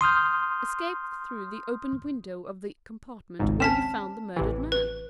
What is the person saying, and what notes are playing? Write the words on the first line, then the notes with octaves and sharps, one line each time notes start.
"Escaped through the open window of the compartment where you found the murdered man."
C6 D#6 F6 G6
G#1 C#2 G#2
C4 C#4 A5 F6 B6 E7
A1 C3 E3
B4